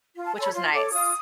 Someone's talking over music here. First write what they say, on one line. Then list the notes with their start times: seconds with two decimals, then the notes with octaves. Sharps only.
which was nice.
0.16 F4
0.25 A5
0.35 A4 C#5 G#5 C6
0.44 B5
0.54 F4 C6
0.73 A4 C#5 D6
0.92 F4 D#6